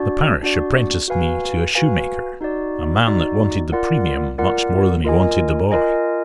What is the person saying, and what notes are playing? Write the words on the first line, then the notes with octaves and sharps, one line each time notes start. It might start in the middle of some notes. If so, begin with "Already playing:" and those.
The parish apprenticed me to a shoe-maker, a man that wanted the premium much more than he wanted the boy.
Already playing: D4 F#4 D5
D4 F#4 D5
F#4 B4 F5 G#5
F#4 B4 F5 G#5
D#4 F#4 D5
D#4 F#4 D5
F4 A#4 D5 F#5
F4 A#4 D5 F#5
F4 A#4 D#5 G#5
F4 A#4 D#5 G#5